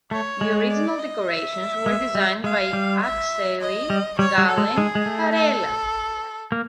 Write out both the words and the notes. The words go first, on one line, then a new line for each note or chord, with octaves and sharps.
The original decorations were designed by Akseli Gallen-Kallela.
A3 C#5
G#3
D5
D#5
E5
G#3
G3
G#3 F5
G3
E5
D#5
G3
G3 C#5
G3
A4
G#3
G#3 G#4
G#3
A3
A4
A#3